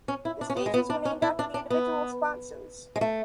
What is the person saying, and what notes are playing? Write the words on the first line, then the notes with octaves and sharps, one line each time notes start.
The stages were named after the individual sponsors.
C#4
E4
D4
C#4
B3
G#3
B3
D4
C#4
E4
D4
D4
B3
G#3
A3